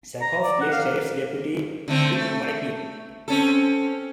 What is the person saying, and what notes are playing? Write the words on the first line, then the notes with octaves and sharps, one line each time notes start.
Sackhoff plays Sheriff's Deputy Vic Moretti.
A#5
D5
F#5
F5
D3 A3 C4
A3
C4 C#4 A4